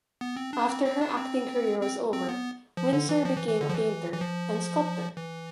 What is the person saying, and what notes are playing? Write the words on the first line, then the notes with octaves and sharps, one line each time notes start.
After her acting career was over, Windsor became a painter and sculptor.
B3
C4
D4
C4
C4
D4
C4
C4
C4
B3
F3
D3
E3
F3
E3
E3
D3
F3
E3
E3
F3
E3